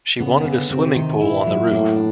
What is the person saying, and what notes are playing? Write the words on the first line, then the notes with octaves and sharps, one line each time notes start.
She wanted a swimming pool on the roof.
C#3 B3
D3
C3 C4
D#3
A#2 E4
F#3
A2 A#3
D4